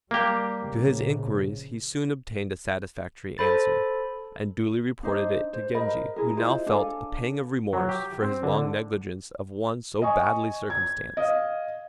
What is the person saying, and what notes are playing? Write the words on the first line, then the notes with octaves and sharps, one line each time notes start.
To his inquiries he soon obtained a satisfactory answer, and duly reported it to Genji, who now felt a pang of remorse for his long negligence of one so badly circumstanced.
G3 A#3 G4
A#1 C#3
A4 C5 B5 A6
D4 D#4 C5 D#5
C5
A#4 C5 D#5 B5
E4 G#4 A#4
E4 F4 C5 D#5
D4 A4 F5 G#5
F#3
G4
C4
D3
D#5 G#5 C#6
G#6
D#5 F5